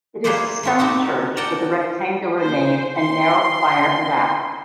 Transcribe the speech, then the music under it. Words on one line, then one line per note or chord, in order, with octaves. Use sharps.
It is a stone church with a rectangular nave and narrow choir and apse.
A#3 E4 G#4 B4 C5 D5
A3 F4 A4
C4 D#4 F#4 G4
A#4 D5 F#5 G5 A5
C5
C6